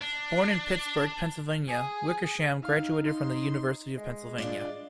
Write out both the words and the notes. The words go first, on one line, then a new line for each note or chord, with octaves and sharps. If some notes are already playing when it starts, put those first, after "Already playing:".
Born in Pittsburgh, Pennsylvania, Wickersham graduated from the University of Pennsylvania.
D4
G#4
D#4 F5
C6
G#3
D4 F4 D5